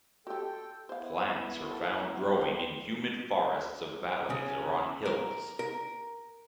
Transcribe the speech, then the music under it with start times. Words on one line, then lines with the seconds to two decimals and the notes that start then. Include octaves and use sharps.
Plants are found growing in humid forests of valleys or on hills.
0.27 F#4 G4 A4 G5
0.89 B3 E4 C5 F5
1.71 A4
2.41 C4
4.30 C#3
5.06 A#4
5.59 A#4